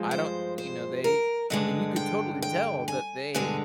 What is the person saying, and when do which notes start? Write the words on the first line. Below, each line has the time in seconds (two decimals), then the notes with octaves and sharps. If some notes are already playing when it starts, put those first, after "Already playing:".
I don't you know, they I mean, you could totally tell that they
Already playing: G2 F3 G#3
0.11 C5
0.58 C5
1.04 A#4
1.50 G2 D3 G#3 D#5
1.96 G5
2.42 G5
2.88 G#5
3.35 G2 D3 G#3 G#5